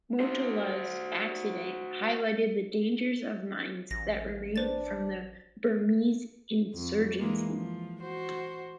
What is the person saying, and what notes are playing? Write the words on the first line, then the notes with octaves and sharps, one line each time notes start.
Motola's accident highlighted the dangers of mines that remain from the Burmese insurgency.
F#4 C5
A1 A#6
D4 B4 C5 A6
F2
E3 G#3 A#3
F3
F#4 C5